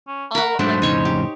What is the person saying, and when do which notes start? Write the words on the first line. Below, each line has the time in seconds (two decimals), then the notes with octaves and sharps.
I'll, like
0.08 C#4
0.35 A#4 F#5 B5
0.59 G#2 F#3 A3 D4 C5
0.82 F2 A2 C#3 D#4 C#5
1.05 G4